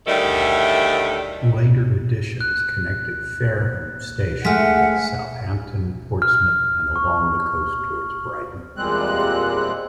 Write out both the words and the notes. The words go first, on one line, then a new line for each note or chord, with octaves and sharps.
Later additions connected Fareham station with Southampton, Portsmouth and along the coast towards Brighton.
D2 A2 D#3 G3 A4 E5
F#6
G#3 A3 F#5 G#5 F6 B6
F6
C#6
E2 A#2 G3 G#3 C4 F#6